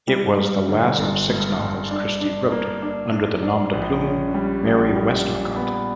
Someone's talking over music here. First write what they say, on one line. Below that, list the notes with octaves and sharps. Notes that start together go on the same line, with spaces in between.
It was the last of six novels Christie wrote under the nom-de-plume Mary Westmacott.
G3
G2
D3
G1
G2
G2
D4
D4
A#3
D4
D4
D4
A#1
C#4
G3
A#1
G3
A#2
B3